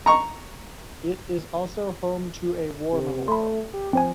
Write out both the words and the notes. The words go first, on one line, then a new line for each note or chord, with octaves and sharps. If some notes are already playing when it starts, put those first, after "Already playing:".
It is also home to a war memorial.
A#5 C#6
C3
A3 B5 C6
G4
F3 C4 C5 G#5